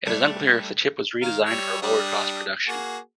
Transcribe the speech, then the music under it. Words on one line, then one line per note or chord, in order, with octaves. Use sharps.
It is unclear if the chip was redesigned for lower-cost production.
G3 A3 D4
D#3 F5 A#5
G3 C#5 E6
G3 D4 D#6
A#3 F#4 G#4